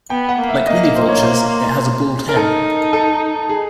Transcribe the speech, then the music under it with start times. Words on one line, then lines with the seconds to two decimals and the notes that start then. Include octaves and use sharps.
Like many vultures, it has a bald head.
0.10 B3 G5
0.29 F#5
0.38 A#3
0.49 E5
0.67 A#3 D#5
0.95 C5
1.09 C#5
1.23 C5
2.29 A#4
2.36 D#4 A4
2.93 A4
3.49 G#4